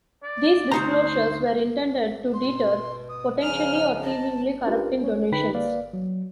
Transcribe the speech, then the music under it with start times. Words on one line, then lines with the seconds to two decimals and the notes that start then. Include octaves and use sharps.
These disclosures were intended to deter potentially or seemingly corrupting donations.
0.23 D5
0.72 D2 D#4 C5 A#5
2.34 B2 C6
3.09 D#6
3.43 C#3 F3 G#5 A#5 F6
4.03 D#5 A5
4.66 C#4 D4 F4 G4 A#4 B4
5.01 C#4 C#5
5.32 D3 D#4 B4 G5 B5 B6
5.54 A#3 B4 D5 F5
5.93 F#3